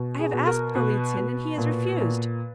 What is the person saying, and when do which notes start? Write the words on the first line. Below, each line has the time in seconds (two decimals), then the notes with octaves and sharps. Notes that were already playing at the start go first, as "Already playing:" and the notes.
I have asked Golitsyn and he has refused.
Already playing: B2
0.19 G#4
0.33 B2
0.47 A#4
0.75 B2 B4
1.17 B2
1.58 A#2
2.00 A#2